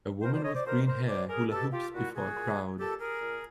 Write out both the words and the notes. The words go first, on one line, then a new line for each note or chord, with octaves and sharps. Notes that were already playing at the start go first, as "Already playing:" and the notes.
A woman with green hair hula hoops before a crowd.
B2 A#4 C5
C5 D5
C#5 D#5
C5 D5
B2 A#4 C5
A#4 C5
B2 C5 D5
G#4 A#4
B2 G4 A4
F4 G4
A#2 E4 F#4
F#4 G#4
A#2
A#2 G4 A4
G#4 A#4
A#2